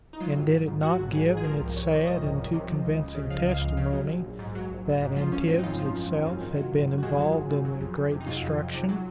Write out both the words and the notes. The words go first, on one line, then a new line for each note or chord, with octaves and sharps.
And did it not give in its sad and too convincing testimony that Antibes itself had been involved in the great destruction?
D#4
F#3 F4
G#1
G#1
G#2
F#3 F#4
G#1
G#1 G#4
G#2
G#4
F3 A#4
C2
C2 C#5
C3
F3 D#5
C2
C2
C3
F3
C#2
C#2
C#3
F3 F5
C#2 F5
C#2
C#3
F#3
A#1
A#1
G#2
F#3
A#1
A#1
G#2
F3 F4
G#1 C#4
G#1 C4
D#4
F#2 F4
F3
G#1
G#1
F#2
D#3
F#3
G#1
F#2
F#4
D#3 G#4
F#3
G#1
F#2
F#3
F2
F2
C3
D#4
F#3 F4
F2
F2
C3
F#3